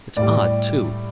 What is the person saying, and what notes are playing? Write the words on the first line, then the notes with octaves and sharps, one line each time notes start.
It's odd, too.
A2 G3 D5